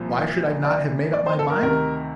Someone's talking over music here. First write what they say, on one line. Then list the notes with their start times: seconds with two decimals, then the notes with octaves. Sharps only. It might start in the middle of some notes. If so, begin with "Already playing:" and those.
Why should I not have made up my mind?
Already playing: C2 A#2 F3
0.65 D5
1.13 D5
1.26 C5
1.39 A4
1.50 A#4
1.62 D2 C3 D#3 A#4